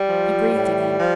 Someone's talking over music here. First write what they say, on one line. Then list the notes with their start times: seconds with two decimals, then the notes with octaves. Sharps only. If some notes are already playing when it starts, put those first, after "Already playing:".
He breathed again.
Already playing: G3
0.08 F3
0.54 A2
0.98 F3